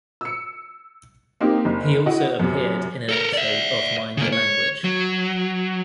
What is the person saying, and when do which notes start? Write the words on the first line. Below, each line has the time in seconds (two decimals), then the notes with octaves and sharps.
He also appeared in an episode of "Mind Your Language".
0.21 E6 C#7
1.40 A#3 C4 D#4 G4
1.65 F#1
2.06 E4 F#4 D#5 F#5
2.40 F#2 C3
3.09 A4 A#4
3.33 D5 E5
4.17 C#3 A#3
4.32 C#5
4.84 F#3